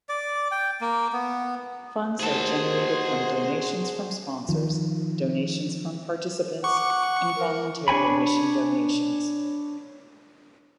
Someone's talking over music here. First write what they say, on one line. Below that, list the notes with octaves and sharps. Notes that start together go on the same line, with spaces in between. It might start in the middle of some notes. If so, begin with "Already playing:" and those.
Funds are generated from donations from sponsors, donations from participants and voluntary admission donations.
D5
G5
A#3
B3
D#2 F#4 G#4 C5 A5
D#3 F3
F#5 C#6 D6
A#4
D4 C#5 G#5 B5